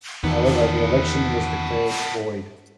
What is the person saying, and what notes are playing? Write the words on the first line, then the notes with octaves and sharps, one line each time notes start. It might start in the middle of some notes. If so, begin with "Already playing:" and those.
However, the election was declared void.
E2 D#3 B3 A4